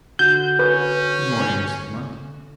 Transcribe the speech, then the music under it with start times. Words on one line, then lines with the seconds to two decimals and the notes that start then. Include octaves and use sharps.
Good-morning, Mrs. Munt.
0.19 D3 F#4 G6
0.59 C#4 B4